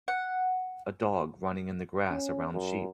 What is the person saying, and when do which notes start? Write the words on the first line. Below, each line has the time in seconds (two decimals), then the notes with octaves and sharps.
A dog running in the grass around sheep.
0.08 F#5
2.11 C#4
2.54 F#2